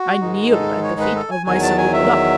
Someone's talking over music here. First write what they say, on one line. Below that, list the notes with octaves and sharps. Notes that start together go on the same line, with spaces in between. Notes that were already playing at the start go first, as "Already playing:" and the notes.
I kneel at the feet of my silver Buddha.
Already playing: F#4
G#2 D#3 G#3 D#4
A4
C#5
B4
A4
G#5
E2 D#3 F#3 G#5
A5
G#5
E5